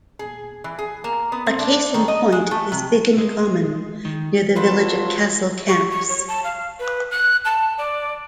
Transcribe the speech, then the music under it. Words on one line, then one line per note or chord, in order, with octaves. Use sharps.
A case in point is Biggin Common, near the village of Castle Camps.
G#4
E3
G#4
A#3
B3
C4
D4
D#3
D#5
G#3
A3
C3
G#3
D#3
F#3 C4 F4 A4 B4
C#6
C#6
C#5
A5
F5
B4
F#6
A5
D5